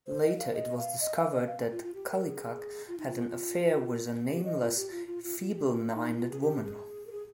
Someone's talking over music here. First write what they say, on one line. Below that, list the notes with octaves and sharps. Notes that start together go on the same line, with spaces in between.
Later, it was discovered that Kallikak had an affair with a "nameless feeble-minded woman".
C5
D#5
F5
D#5
F5
D#5
F5
D#5
F5
F4
F4
G4
A#4
G#4
F4
D#4
F4
G4
D#5
F4
G4
F4
F4
F4
F4
G4
F4
D#4
F4
G#4
G4
G#4
A#4
G#4